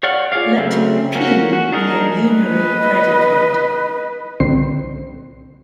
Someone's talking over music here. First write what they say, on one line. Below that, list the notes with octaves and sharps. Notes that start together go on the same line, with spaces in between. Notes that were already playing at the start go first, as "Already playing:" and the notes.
Let "p" be a unary predicate.
C#5 D5 F5 F#5 C#6
F4 G#4 C#5 D5 F5
C#3 F#3 A3 C4
A#3 C#4 F#4
F#4
D4 D#4 G#4 A#4
B4 D#5
C2 A#2 D3 C4 C5 C7